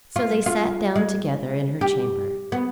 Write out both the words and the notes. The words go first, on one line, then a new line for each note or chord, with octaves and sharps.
So they sat down together in her chamber.
F4
F4
G#3
G4
B3